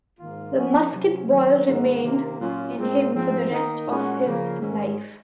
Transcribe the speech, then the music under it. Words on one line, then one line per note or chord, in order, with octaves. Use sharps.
The musket ball remained in him for the rest of his life.
G#2 D#3 A#3 F4
F3 A#3 C#4 F#4
C3 F#3 C#4
F#2 D#3 F#3
G#2 D#3 G#3 D#4 F#4
C3 D#3 A#3
A#2 F#3 C#4 F4
A#2 G#3 C4
G#2 F3 C4
D#3 A#3 D#4
A#2 G#3 C#4 F#4
C#3 F3 A#3
G#2 D#3 G#3 C#4